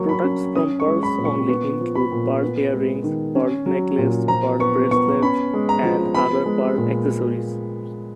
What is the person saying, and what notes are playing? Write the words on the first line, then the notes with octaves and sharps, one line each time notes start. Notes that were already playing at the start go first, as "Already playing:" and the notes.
Products from PearlsOnly include pearl earrings, pearl necklace, pearl bracelets and other pearl accessories.
Already playing: F#3 A#3 C#6
B5
C#4
C#4 D#6
C#6
G#3
B5
A#2
C#6
B3 C#6
F3
B5
A#2
B3
G#3
D#3
C#4
F#3
A#2
F3 A#5
B3 C#6
B3 C#6
C#4 B5
G#3
A#5
F3
B3 B5
G#3
A#2